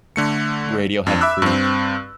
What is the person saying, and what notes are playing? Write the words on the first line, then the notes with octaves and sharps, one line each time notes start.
Radiohead Creep
D3 A3 C#7
F2 D4
E5 B5 D6 E6 F#6
G2 C4